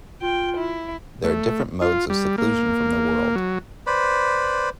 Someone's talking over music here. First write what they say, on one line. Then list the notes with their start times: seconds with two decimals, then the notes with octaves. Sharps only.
There are different modes of seclusion from the world.
0.22 F4 G5
0.57 E4
1.24 A3
1.82 F4
2.10 G3
2.38 A#3
3.35 F#3
3.87 B4 C5 D5 B5